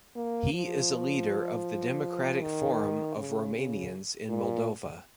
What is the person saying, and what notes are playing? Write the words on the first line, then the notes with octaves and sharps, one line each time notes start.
He is a leader of the Democratic Forum of Romanians in Moldova.
A#3
F3
D#3
C#3
C#3
A#2